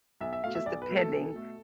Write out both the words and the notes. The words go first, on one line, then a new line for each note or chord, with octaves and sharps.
just depending,
B1 E5
E5
B2 A3 F5
E5
B1 D5
B4
B2 A3
A4
B1
B2 A3